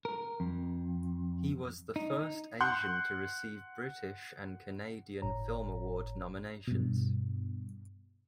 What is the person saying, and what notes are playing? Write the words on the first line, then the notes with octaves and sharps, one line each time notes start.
He was the first Asian to receive British and Canadian film award nominations.
A#4
F2
D#4
F#5 C6 F#6 G6
G1 A2 C#5 A#5
G2 B2